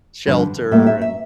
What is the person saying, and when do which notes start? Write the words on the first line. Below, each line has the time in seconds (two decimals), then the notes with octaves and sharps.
shelter, and,
0.27 G2 D3 F3
0.71 A2 G3 A#3 E5
0.82 F5
0.86 E5
1.01 E5